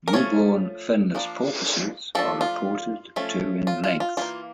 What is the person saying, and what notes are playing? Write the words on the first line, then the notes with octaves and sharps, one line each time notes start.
Newborn finless porpoises are reported to in length.
A#4
F3 A3 C#4 C#5
F3 A#3 D4
F3 A3 D4 A4
F4
F3 A3 C#4
F4
F4
F4
E3 G3 A#3 F4